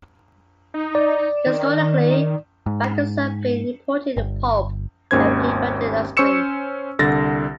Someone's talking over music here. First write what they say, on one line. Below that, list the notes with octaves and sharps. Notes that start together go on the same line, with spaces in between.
Historically, Vikersund been important in the pulp and paper industry.
D#4
D5
D#3
G#2
G1
G#1 D#2 C#4 C5 G#6
C#4 C5 C#6 E6 C#7 E7
C2 D3 A6 A#6